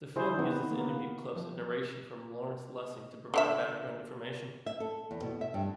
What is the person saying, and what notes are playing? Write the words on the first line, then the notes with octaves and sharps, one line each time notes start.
The film uses interview clips and narration from Lawrence Lessig to provide background information.
C#3 E4 G#4 C5
D#3 B3
A#3 B3
F3
D3 G4 E5
E5
A4
E2
B2
E5
G2